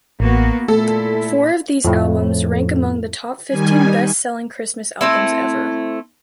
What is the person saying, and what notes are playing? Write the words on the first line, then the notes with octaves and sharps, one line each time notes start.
Four of these albums rank among the top fifteen best-selling Christmas albums ever.
A1 A#3 B3 F#4
A#2 A3 E4 A4
F2 A2
D#3 G3 G#5
A3 C4 E4